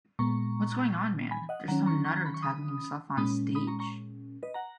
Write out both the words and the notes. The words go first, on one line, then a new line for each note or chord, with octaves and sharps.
'What's going on, man, there's some nutter attacking himself on stage.
A#2 G#3 B3 A#5 C#6
G#5 B5
D#5 F#5
D#3 F#3 C#4 F#5 A#5
A#5 C#6
A#5 C#6
A#5
B5
C#6
B5 D#6
A#2 G#3 C#4 B5 D#6
B5 D#6
A#5 C#6
A#5 C#6
B4 D#5
F#5 A#5